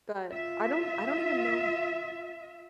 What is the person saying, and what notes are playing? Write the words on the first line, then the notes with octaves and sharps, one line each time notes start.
but I don't I don't even know.
F4 E5